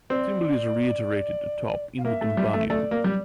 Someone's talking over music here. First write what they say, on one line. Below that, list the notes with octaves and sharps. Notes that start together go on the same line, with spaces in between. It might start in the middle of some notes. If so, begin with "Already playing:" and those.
The symbol is reiterated atop in the tympanum.
C4 D5
F5
A#3 E5
A3
G3
A3
A3 D5
A#3
G3